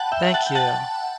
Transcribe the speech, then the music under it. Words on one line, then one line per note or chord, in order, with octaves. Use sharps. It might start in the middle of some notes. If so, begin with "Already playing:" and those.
Thank you.
Already playing: F#5 G5 A5 B5
E5 G5
F#5 A5
G5
F#5 A5